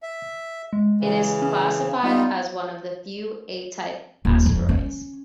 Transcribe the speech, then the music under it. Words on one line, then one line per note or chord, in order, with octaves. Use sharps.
It is classified as one of the few A-type asteroids.
E5
G#3
C#3 E3
C#4
G3 B3 D#4 F4
D#1
F2
C#4